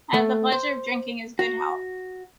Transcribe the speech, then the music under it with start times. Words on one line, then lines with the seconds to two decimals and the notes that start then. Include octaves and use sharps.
I have the pleasure of drinking his good health.
0.14 A3
0.52 C5
1.39 F#4